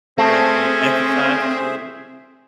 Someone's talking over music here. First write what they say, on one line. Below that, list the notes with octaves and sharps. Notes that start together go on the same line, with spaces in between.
Stretching, exercise too, if
A3 C4 C#4 G#4 C5 E5